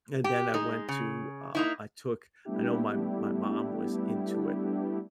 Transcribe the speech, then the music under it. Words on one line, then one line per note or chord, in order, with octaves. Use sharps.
and then I went to uh, I took I know my my mom was into it,
G4
G#3 D#4
C#3
A#3 D#4 E4
G3 A3 B3 D4 E4 G4